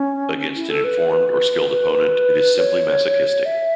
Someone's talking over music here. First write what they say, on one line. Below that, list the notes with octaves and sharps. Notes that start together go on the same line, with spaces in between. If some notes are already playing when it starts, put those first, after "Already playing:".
Against an informed or skilled opponent, it is simply masochistic.
Already playing: C#4
E4
A4
B4
B4
B4
C#5
E5